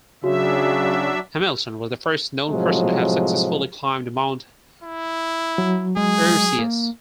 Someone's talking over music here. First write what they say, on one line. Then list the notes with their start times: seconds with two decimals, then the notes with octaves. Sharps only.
Hamilton was the first known person to have successfully climbed Mount Erciyes.
0.24 C#3 F#3 D4 F#4 E5
2.50 A2 C3 F3 F#3 G#3
4.84 E4
5.58 F#3
5.97 G#3 G#4
6.59 A#3